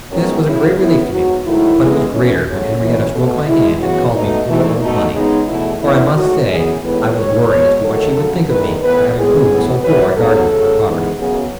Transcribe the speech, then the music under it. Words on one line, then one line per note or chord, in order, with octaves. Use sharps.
This was a great relief to me, but it was greater when Henriette stroked my hand and called me "poor old Bunny," for I must say I was worried as to what she would think of me for having proven so poor a guardian of her property.
F#2 D#3 G#3 B3 C#4
C#3 F#3 A3 E4
A2 E3 B3 E4
G#2 F#3 B3 F#4
G#2 D#3 F#3 A3 E4
A2 E3 G#3 B3
F#2 E3 A3 C#4
C#3 F#3 A3 C#4
F#2 E3 A3
B2 A3
B2 G#3 B3 E4
C#3 E3 B3 F#4
B2 A3 D#4
G#2 E3 A3
B2 A3 D#4
C#3 G#3 B3 D#4
E2 B2 A3 E4
A2 E3 B3 E4
G#2 F#3 A3 F#4
F#2 E3 B3 G#4
A2 E3 G#3 B3 B4
G#2 D#3 G#3 C#5
B2 G#3 B3 C#5
E2 D#3 F#3 A3 A4
C#3 F#3 A3
E2 D#3 A3 B4
A2 E3 B3 B4
A2 G#3 B3 G#4
A2 E3 B3
F#2 E3 A3 B4
G#2 F#3 B3 A4
C#3 F#3 A3
G#2 E3 G#3 B3
F#2 C#3 F#3 B3 G#4